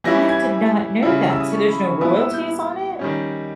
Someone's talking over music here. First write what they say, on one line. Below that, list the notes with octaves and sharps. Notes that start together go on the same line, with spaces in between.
I did not know that. So, there's no royalties on it?
E3 G3 C#4 E4 A#6
G#6
C#3 G3 C#4 E4
E6
D#6
C#6
B5
C#6
A#2 G3 B3 E4 D#6
E6
G6
D#3 G3 C#4